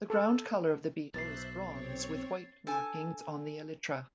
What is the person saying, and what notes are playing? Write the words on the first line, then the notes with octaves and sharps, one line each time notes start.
The ground colour of the beetle is bronze with white markings on the elytra.
A4
B1 C5 E5 F#6 A6 C7
C4 C#5
D4 A4 G#5